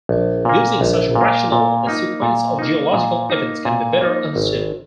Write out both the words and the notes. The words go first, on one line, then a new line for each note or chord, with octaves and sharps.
Using such rationale, the sequence of geological events can be better understood.
A#1
A#2 A#3
A#1
A#2
A#3
A#2
A#3 D#4
A#2
A#3 D#4
A#2
A#3 D#4
A#2
A#3 D#4
G#1